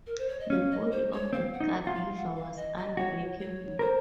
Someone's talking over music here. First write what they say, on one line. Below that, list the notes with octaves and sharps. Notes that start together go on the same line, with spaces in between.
The body of the Gandiva was unbreakable.
A#4
C5
C#5
D#5
C#4 F5
D#5
C5
C#5
C4 F5
F#5
D#4
F4 F#5
F5
F#5
F5
D#5
D#5
F#4 C#5
C#5
A#4 C5